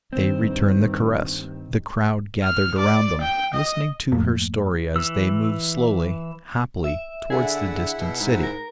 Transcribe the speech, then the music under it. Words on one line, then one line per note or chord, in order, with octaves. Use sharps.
They returned the caress, the crowd gathered around them, listening to her story as they moved slowly, happily, towards the distant city.
G2 D#3 C4
F6
D5
G5
D#5
F2 G#2 F3 A3 A#3
E3 E6
E5
D3 E4 G#4 E5 F#5
B2
G#2
A#4